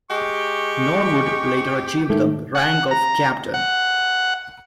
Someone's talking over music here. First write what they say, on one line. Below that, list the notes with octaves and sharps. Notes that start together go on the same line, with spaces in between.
Norwood later achieved the rank of captain.
G#3 G4 C#6
G#2 D#3 A3
F#5
A#5
F#5